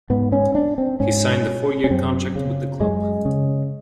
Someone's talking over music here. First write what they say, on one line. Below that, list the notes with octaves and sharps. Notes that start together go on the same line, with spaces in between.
He signed a four-year contract with the club.
G#2 B3
C#4
D4
C4
G#2 C#4
C#4
F#2 C4
C#3
F#2 G#3
C#3